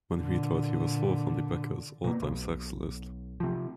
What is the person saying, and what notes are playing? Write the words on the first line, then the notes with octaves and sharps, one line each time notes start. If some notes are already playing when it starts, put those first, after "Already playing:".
When he retired, he was fourth on the Packers' all-time sacks list.
A#2 D3
B2 A#3
B1
C3 F3